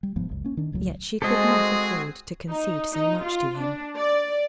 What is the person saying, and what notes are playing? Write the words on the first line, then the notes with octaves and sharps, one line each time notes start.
Yet she could not afford to concede so much to him.
G3
E1 G#2 F3 B3
F#1 C#2
A#3 C#4
D#3 D4
E1 C#2 A2 F#3
G#3 C4 F#4 G#4 A4 C5 D#5 A5
D#4
D#4
F4
D4
D5